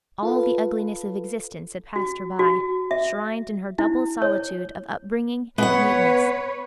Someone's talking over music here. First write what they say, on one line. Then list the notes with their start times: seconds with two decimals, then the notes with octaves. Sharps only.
All the ugliness of existence had passed her by, shrined in her double solitude of upbringing and muteness.
0.23 F4 A4 B4
1.96 F#4
2.39 F#4
2.91 E5
3.79 E4
4.22 C#5
5.58 B3 B4 C#5 F#5